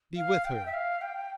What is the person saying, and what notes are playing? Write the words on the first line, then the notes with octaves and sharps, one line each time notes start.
Be with her!
F5
G5
E5
F5
G5